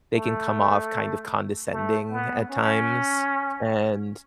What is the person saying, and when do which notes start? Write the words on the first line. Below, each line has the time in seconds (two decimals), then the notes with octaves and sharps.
they can come off kind of condescending at times, and
0.14 A3
1.72 A3
2.11 B3
2.50 C#4